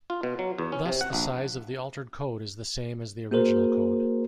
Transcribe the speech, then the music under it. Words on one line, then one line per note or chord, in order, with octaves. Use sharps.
Thus the size of the altered code is the same as the original code.
F4
B2
F#3
E2
C#4
C3
F#5
A#1
A#3 F#4 G#4 A#4 C5